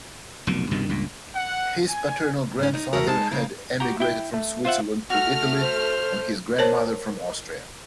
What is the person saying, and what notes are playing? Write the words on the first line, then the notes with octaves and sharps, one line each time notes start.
His paternal grandfather had emigrated from Switzerland to Italy and his grandmother from Austria.
F1 B1 A#2
C2 G2 B2 D#3
C#2 G2 A#2
F#5
G#5
G#2 C#4
D#4
E2 A3 F#4 A#4
G#3 D#4 A5
C#3 F3 A#3
F#4 G4 G5 A#5
E4 G5
A3
F4 C5 E5 F#5
A3 F#4 F6
C5
A#4 C5 C#5 A5